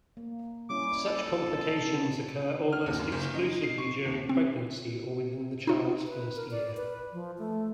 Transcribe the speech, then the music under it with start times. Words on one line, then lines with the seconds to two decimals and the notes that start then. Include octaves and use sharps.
Such complications occur almost exclusively during pregnancy or within the child's first year.
0.17 A#3
0.70 G3 C#4 E4 D6
1.06 A4
1.78 C3
2.73 F6
2.86 D#2
2.99 F#2
3.12 F#1
3.34 D#4
3.63 C7
3.78 C#6
4.06 D#2
4.29 C4
5.67 D#4 F4
6.08 B4
6.36 A#4
6.51 D5
6.77 B4
7.13 F3
7.38 A3